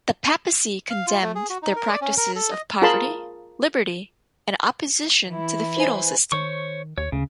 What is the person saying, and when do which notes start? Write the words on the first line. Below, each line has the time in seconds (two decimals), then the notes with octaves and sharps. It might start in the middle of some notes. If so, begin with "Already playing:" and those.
The Papacy condemned their practices of poverty, liberty and opposition to the feudal system.
0.90 F5
1.07 F4
1.22 A3
1.35 G#4
1.50 F#4
1.63 D#4
1.76 A#4
1.88 D5
2.02 C#4
2.17 A#4
2.36 A4
2.51 D#5
2.82 F4 G#4 A#4 A5 B5 C6
5.27 E3 E4
5.77 B4 C5 G#5
6.32 D#3 C5 C#5 C#6
6.98 D#2 C#5
7.12 D2 C#3